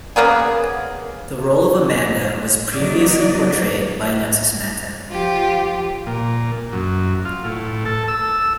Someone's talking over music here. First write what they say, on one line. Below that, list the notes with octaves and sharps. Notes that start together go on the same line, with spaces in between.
The role of Amanda was previously portrayed by Alexis Manta.
C#3 A#3 B3 G#4
F#3 A#3 D5 D#5
F3 F4 G4
A#2
F#2
F4
A2
A4
E6